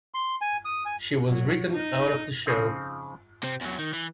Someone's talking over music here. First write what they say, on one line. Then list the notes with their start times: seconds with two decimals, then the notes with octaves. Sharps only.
She was written out of the show.
0.14 C6
0.41 G#5
0.65 D#6
0.85 G#5
1.28 F#3
1.72 D#4
2.46 C#3 F3 C4 D#4
3.43 C3 C4
3.61 E2 F#3
3.79 D#3
3.94 E3